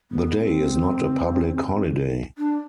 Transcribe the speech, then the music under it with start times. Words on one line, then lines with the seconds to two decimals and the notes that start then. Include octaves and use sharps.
The day is not a public holiday.
0.11 B3
0.40 D4
0.43 C4
2.38 D4